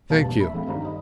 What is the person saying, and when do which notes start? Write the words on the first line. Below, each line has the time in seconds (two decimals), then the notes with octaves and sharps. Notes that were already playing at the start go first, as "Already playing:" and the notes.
Thank you.
0.10 E1 G3 B4 F5 A5
0.28 A#1
0.40 E5 B5
0.54 F3 G#3 A3 C4 D4 F5
0.67 G2 D#3 C5 F5 A#5 B5
0.85 D#5